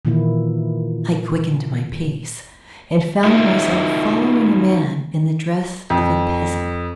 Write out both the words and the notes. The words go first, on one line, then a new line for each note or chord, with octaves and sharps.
I quickened my pace, and found myself following a man in the dress of a peasant.
A#2 D#3 E3 A#3 E4
D#4 F4 F#4 A#4 D#5 E5
F2